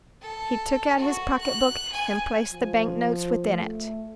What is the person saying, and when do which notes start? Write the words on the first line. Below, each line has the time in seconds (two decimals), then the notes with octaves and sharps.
He took out his pocket-book and placed the bank notes within it.
0.22 A4
0.97 F#4
1.40 F#6
1.92 G#5
2.53 F3
3.44 A3